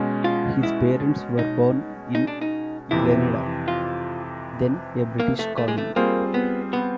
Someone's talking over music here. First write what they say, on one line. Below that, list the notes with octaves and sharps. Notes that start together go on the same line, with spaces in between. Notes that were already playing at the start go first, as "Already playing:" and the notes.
His parents were born in Grenada, then a British colony.
Already playing: B2 G#3 C#4
F4
E4
D#4
D#4
D4
D#4
F2 C3 E3 E4
F4
A#3
A3
A3
G#3
A3
G3 A#3 C4 F4 G#4 C5
B3
B3